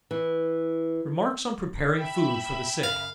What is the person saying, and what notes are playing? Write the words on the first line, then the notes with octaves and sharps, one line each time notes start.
Remarks on Preparing Food for the Sick.
E3
E5 G5 B5
F#2 C#3 F5